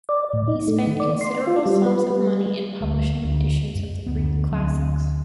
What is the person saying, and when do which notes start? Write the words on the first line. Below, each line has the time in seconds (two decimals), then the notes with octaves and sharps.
He spent considerable sums of money in publishing editions of the Greek classics.
0.09 D5
0.33 A2
0.48 D#4
0.68 A3
0.87 D#3
1.00 D5
1.21 C6
1.47 F4
1.66 G3
1.86 B4
2.10 G3
2.81 D2 A3
3.23 D2
3.75 F#2
4.06 D2 B3
4.51 D2 F#3 C4